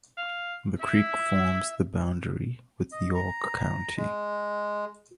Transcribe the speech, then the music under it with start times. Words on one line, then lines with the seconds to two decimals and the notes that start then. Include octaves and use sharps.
The creek forms the boundary with York County.
0.17 F5
0.80 E4 E5
2.92 D#5
3.15 A#5
3.97 G#3